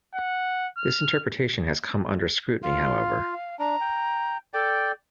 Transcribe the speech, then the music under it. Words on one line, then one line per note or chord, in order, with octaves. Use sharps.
This interpretation has come under scrutiny, however.
F#5
F6
F4 F5
D4 A#5
G5
A4 D5 G5